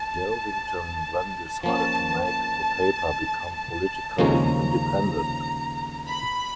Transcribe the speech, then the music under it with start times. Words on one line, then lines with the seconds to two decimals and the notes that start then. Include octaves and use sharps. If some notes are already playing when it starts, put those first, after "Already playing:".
Yelvington then decided to make the paper become politically independent.
Already playing: A5
1.63 F3 A#3 C#4 A5
2.27 A5
3.55 A5
4.18 D#2 C#3 F3 G#3 C#4 A#5
6.09 B5